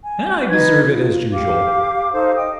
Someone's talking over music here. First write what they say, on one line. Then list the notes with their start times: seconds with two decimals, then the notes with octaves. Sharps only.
And I deserve it, as usual!
0.04 G#5
0.50 D#4 B4 G#6
0.86 F4
1.33 G4 F5 D6
2.13 D#4 A4 C5 F5
2.36 D#5 G5 D#6